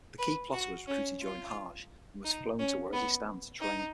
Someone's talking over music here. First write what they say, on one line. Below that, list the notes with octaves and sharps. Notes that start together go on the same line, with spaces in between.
The key plotter was recruited during Hajj and was flown to Waziristan to train.
B4
F#4
C#4
F4
D#4
C#4
B3
D#4